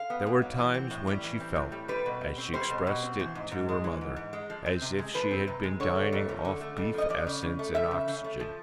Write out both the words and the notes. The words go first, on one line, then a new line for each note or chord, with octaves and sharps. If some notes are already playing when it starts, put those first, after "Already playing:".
There were times when she felt, as she expressed it to her mother, as if she had been dining off beef essence and oxygen.
Already playing: F5
B3
G#2
F#3
E3
C4
A2
G3
E3
C4
A2
G3
G3 B4
B2
B2
C4
G3 C5
B2
B2
C4
E3 C5
G#2
G#2
G#3
E3
G#2
G#2
G#3
F3
C4
C3
G#3
F3 B4
C4
C3
G#3
D3 C#5
A3
F2
F3
D3
A3
F2
F3 D#5
F3 D5
C#3
C#3
A3
F3 E5
C#3
C#3
A3
F3